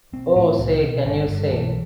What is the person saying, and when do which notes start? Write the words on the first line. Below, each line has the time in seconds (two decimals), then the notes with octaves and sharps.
Oh Say Can You Say?
0.12 B1 C4
0.36 A2
0.59 C2
0.81 B2
1.05 G1 D3
1.28 G2 F3
1.32 D3
1.50 B1 E3